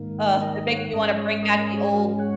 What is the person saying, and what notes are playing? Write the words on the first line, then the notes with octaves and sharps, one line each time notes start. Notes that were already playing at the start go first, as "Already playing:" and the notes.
Uh, it makes me wanna bring back the old
Already playing: G#2 D#3 A#3
A#4 D#5
D#5
C#5 F#5
G#2 G#3 C#4 A#4 D#5
G#4 C#5
A#4 D#5
A#4 D#5
G#4 C#5
F#4 A#4
C#5 F#5